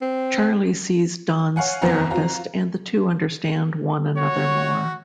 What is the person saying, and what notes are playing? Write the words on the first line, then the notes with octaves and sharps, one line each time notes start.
Charlie sees Don's therapist and the two understand one another more.
C4
C#5 F5 F#5 G#5
F#1 E2 B3 C4 F#5 A#5
C4 F4 F#4 A#5
F#4 C#5